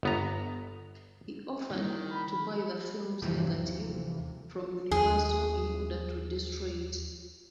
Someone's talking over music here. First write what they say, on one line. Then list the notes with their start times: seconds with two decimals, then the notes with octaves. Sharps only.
He offered to buy the film's negative from Universal in order to destroy it.
0.03 G1 B3 A#5
1.71 D#3 G3 A#3 E4
2.11 B5
3.22 G1 D#2 C3 E3 F3
4.91 D#2 G#4